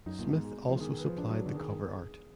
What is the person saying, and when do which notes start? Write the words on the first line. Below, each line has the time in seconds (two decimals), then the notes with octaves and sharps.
Smith also supplied the cover art.
0.06 F#2 D#4
0.19 A#2
0.24 B2
0.31 G#2
0.44 G#3
0.61 B2
0.69 F3
0.80 D#3 G#4
0.99 B4
1.05 F3
1.18 D4
1.30 F#3
1.37 B3
1.46 D3
1.55 D#3 G#4